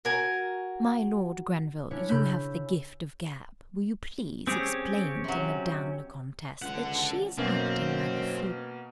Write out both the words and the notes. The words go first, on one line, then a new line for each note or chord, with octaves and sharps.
My Lord Grenville, you have the gift of gab, will you please explain to Madame la Comtesse that she is acting like a fool.
F#4 A#4 G#5
C#4 D4 E4 C#5
C#3 B5 E6 G6 B6
C4 C#4 G4 G#4
C3 F#3
C#2 D3 F#5
F#2 B2 A#3 C4